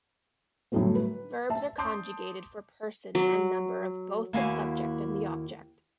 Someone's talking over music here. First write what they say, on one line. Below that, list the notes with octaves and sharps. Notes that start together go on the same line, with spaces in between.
Verbs are conjugated for person and number of both the subject and the object.
A2 D3 F#3 G3 A3 B3
B4
E5 A5
A5 C6 D6 D#6 G6
F#3
D#2 A#3 E4 F#4 F5 G#5